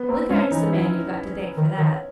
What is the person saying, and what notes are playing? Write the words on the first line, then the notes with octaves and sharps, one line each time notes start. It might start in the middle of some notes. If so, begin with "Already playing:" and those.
Blenkiron's the man you've got to thank for that.
Already playing: B3
A#3 C4
G#3 C#4
E3 D#4
E4
D#3
D#3